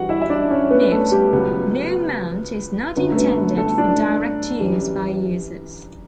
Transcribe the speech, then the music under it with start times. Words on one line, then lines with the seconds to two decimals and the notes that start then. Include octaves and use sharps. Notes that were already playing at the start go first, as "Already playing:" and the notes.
Note, gnome-mount is not intended for direct use by users.
Already playing: G2 E3 G3 F#4 F#5
0.09 E4 E5
0.22 E5
0.29 D4 D5
0.50 C#4 C#5
0.70 B3 B4
0.91 A3 A4
1.11 G3 G4
1.33 C#2 C#3 F#3 B3
2.96 F#2 D3 F#3 B3
3.12 A3
3.16 B3
3.37 B3
3.57 A3 A4
3.78 D4 D5
4.60 F#2 E3 G3